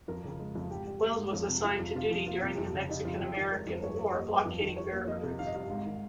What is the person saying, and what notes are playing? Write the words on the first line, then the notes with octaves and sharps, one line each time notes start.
Wells was assigned to duty during the Mexican-American War blockading Vera Cruz.
F2 A#4
C#3
G#3
F2
G#2 G4
G3
A#3
G#2
F2
C3
F3
F2
C3 F4
F3
A#3 F4
C3
F2
C#3
G3 D#4
F2 F4
F2 G4
D#3
G#3 A#4
F2
G2 C#5
G3
A#3 D#5
G2
F2
D#3
G3 C#5
A#3
F2 D#5
C3
D#3 F5
D#5
G3 F5
G#2
D#3